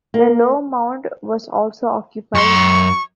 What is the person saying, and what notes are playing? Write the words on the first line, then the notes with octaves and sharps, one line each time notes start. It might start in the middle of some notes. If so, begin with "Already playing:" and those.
The Low Mound was also occupied.
A#3
F#2 C6 C#6